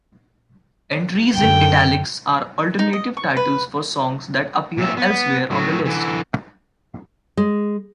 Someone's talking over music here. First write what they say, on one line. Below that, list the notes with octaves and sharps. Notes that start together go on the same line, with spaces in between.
Entries in "italics" are alternative titles for songs that appear elsewhere on the list.
F#2 D3 G5
D#4
D#5
C#6
B4
A#2 E5
B3
A2 F#3
D3 E3
G#3